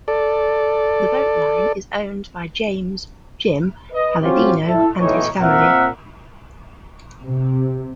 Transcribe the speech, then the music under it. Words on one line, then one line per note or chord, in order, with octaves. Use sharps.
The boat line is owned by James "Jim" Palladino and his family.
A4 D5
B4 D#5
F#3 C4 C#4 F4 G4
E4 A4
B1 A2 E3 D#4 C#5
A#2 C4 A#4 E5 F#5
C3